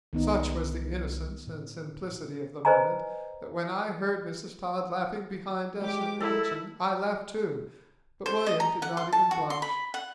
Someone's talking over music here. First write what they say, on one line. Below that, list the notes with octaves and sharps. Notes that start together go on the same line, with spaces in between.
Such was the innocence and simplicity of the moment that when I heard Mrs. Todd laughing behind us in the kitchen I laughed too, but William did not even blush.
C2 D#3 B3 D#4
A2
B4 C5 D#5 G#5 A#5
G#3 G4 D6
E4 A4 A#4
C5
D#5
A#5
F#5
C6
A5
F#4
C6
B5
F#5